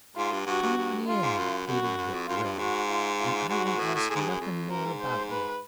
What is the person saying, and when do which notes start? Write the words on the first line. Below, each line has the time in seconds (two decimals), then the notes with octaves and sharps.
"Come on in," pleaded Vic Gregg, "and I won't ask nothin' more about you."
0.16 G#2 F4
0.32 G2
0.46 G2 F#4
0.62 G2
0.77 G2
1.07 G2 F4
1.22 G#2
1.38 F#2
1.67 F#2 F#4
1.82 F#2
1.97 F#2
2.14 F2
2.28 F#2 F4
2.36 G#2
2.43 G2
2.59 G#2 F#4
2.88 F4
3.20 F4
3.49 G#2 F#4
3.64 G#2
3.79 A2
3.95 A2
4.10 A2 G#4
4.16 G#2
4.20 G2
4.30 F#2
4.41 F2
4.70 F#2 A#4
4.85 G#2
5.01 C5
5.31 B4